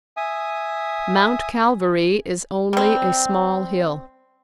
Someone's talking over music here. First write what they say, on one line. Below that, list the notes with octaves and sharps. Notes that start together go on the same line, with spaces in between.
Mount Calvary is only a small hill.
E5 G#5 D#6
G3 C4